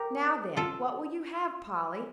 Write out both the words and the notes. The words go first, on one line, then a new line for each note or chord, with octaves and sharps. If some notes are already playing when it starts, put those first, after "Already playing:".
"Now, then, what will you have, Polly?"
Already playing: G4 A#4
F4 A4